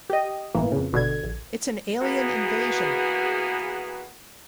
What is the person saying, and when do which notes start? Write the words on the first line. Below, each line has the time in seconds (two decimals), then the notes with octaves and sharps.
It's an Alien Invasion.
0.10 G4 D#5
0.55 G1 A2 E3 A#3
0.72 F2 C#3
0.93 G#1 B2 D3 G#6
1.23 A#1
2.01 E3 A#3 B3 F#4 G#4